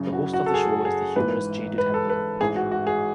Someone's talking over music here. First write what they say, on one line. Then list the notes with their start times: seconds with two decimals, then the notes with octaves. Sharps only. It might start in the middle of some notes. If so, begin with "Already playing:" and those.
The host of the show is the humorist Jay Du Temple.
Already playing: F#1 F#2 C#3
0.13 F#4
0.33 F#4
0.46 A4
0.54 G#4
0.85 G#4
1.16 A1 G#2 E3 B4
1.78 B4
1.94 A4
2.10 B4
2.40 A1 G#2 E3 G#4
2.56 F#4
2.72 F#4
2.87 G#4